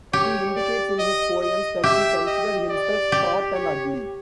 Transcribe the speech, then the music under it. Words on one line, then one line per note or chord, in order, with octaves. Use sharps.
He indicates in his poems that he considered himself short and ugly.
G4 C#5
D5
D#5
D#5
G4 E5
D#5
D5
G4
C#5